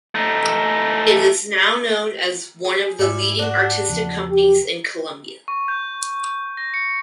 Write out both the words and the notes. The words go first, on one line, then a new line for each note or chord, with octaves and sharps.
It is now known as one of the leading artistic companies in Colombia.
A3 D#4
G#4
G#2 G3 E4 G#5
D4 F#4
E2 C#3 F3
G4
C#6
G6
A#6
C#7